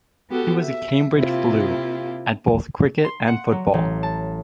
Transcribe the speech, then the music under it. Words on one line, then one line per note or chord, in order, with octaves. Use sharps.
He was a Cambridge Blue at both cricket and football.
B3 F#4 G4 A4
E5
C3 A#3 E4 F4 G4
C6
F#5
F#3
A1
A5